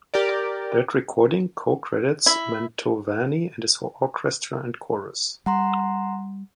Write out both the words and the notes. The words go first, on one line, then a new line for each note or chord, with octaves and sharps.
That recording co-credits Mantovani and his Orchestra and Chorus.
G4 A#4 D5
E4
G3 F#5 A#5 C6